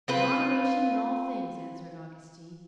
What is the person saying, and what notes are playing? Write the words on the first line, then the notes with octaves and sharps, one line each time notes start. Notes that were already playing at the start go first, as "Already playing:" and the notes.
"Moderation in all things," answered Augustine.
C4 F4 B4